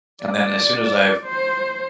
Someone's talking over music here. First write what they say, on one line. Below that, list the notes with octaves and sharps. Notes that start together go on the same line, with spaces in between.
and then, as soon as I've
D5
C5